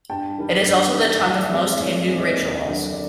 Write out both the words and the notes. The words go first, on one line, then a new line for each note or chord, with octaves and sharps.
It is also the tongue of most Hindu rituals.
G2 G5 A5
D#3 G3
G2
D#3 G3
A2 G5 A5
D5 E5
E3 G#3 C4
D5
A2 C#5
D5
E3 G#3 C4
C#5 D#5
D#2
D3 F#3
D5